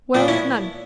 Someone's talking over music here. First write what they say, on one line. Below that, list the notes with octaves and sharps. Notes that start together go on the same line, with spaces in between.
Well, none.
A#2 B3 D4
C#4 E4